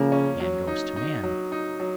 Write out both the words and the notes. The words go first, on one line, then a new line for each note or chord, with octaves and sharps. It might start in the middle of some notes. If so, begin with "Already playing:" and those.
Man goes to Man!
Already playing: C#3 F3 A#3
C#4
F#3
D#4
D#4
F#3
D#4
F#3